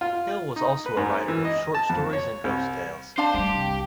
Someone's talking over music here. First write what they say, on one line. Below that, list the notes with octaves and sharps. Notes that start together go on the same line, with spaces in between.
Hill was also a writer of short stories and ghost tales.
F4
D#4
B4
G#2
E3
D#5
A5
F2
C#5
C2
D4 C5 F5 A5
G3 G#3 G4
C2